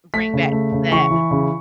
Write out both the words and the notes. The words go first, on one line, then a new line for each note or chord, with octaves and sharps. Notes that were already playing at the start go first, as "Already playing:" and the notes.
bring back that
A3 B6
C#3
A3
C#3
E3 C#6
E3
C#3